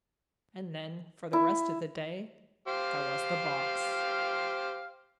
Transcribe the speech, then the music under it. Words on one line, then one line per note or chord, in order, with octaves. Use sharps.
And then, for the rest of the day, there was the box!
E4
G4 C5 F5